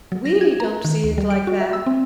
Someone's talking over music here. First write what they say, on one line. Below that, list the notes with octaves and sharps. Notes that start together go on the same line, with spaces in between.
We don't see it like that.
F#3
A#6
G#6
A#5
D#3
D2
G3
D7
F#4
E5
E6
C4